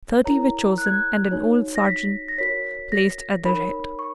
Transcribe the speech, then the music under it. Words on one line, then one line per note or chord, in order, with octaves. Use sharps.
Thirty were chosen, and an old sergeant placed at their head.
E4 A#4 C#5 A#5
F#6
G#6
F#6
D#4 F#4 C#5
A#6
B6
A#6
F#4 A#4 C#5 B6
A#6
D#4 A#4 C#5 B5
C#6